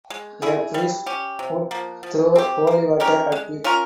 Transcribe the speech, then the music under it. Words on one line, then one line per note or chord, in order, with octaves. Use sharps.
A priest would throw holy water at it.
G#3
E4 G#4
G3
C#4 G4
C3
F3 A#3
F3
C4 G4
A#3
C#4 G4 A#4
G#3
C#4 F4 A#4